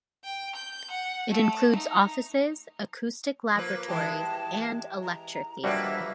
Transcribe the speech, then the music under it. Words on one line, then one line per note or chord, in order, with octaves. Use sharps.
It includes offices, acoustic laboratories and a lecture theatre.
G5
G6
F#5
A3
D#4
F3 A#3 B4
E3 G#3 G4 A5
A#5
F2 G3 A#3 D4 F#4 B4 E5